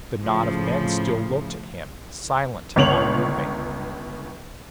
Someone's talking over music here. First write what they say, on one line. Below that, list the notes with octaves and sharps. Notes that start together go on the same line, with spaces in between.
The knot of men still looked at him, silent and unmoving.
A2 C#3 F3
G1 C#2 C#5 F7 F#7